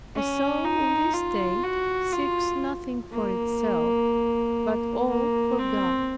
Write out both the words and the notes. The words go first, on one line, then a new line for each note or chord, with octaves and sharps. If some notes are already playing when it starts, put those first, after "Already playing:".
A soul in this state seeks nothing for itself, but all for God.
C#4
D#4
F4
F#4
F4
A#3
A#3
C4